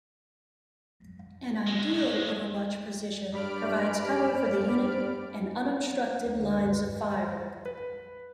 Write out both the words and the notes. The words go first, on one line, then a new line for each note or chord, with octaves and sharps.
An ideal overwatch position provides cover for the unit, and unobstructed lines of fire.
A2 G#3
G2 G3 D5 B5 F6 D7
D2
D3
G2
B4
B4